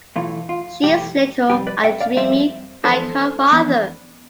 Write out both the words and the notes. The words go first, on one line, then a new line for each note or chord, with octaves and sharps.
She is little and dreamy, like her father.
B1 A2 E3 A3 F4
F4
B1 A2 E3 A3 G4
F2 C3 G3 C4 G4 B4
B4 D5
E5 G5
D5 F5
F2 C3 G3 C4 C5 E5
F2 E3 B3 D4 A4 C5
F2 E3 B3 D4